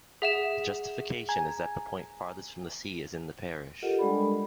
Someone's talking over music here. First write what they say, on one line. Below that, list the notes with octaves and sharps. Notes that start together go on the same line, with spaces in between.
The justification is that the point farthest from the sea is in the parish.
G#4 E5 F#5 B6 E7
G#5 A#5 G#6
F4 G4 A4 A#4 D#5 F#5
G3 G#3 D4 A4 D5 B5